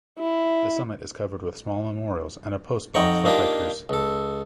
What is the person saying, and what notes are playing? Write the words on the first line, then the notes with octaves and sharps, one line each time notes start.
The summit is covered with small memorials and a postbox for hikers.
E4
F2 D#4 F#5 G5 A#5 C#6
A#3 D4 D#4 F4 G4 A#4
C#2 A4